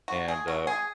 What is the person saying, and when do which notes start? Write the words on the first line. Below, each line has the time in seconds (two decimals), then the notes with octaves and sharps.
and, uh,
0.08 F#4
0.28 G#4
0.48 F#4
0.67 G#4